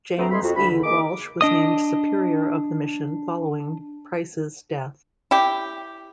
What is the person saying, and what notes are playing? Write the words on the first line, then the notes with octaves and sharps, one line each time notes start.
James E Walsh was named Superior of the mission following Price's death.
D2 A3 B3 C4 C5 A#5
F2 G#3 A3 G#4 B5 C6
F2 F#4
D2 B5
E2 D3
A#3 D#4 G#4 D6
D4 D#5 D#6
E4 G4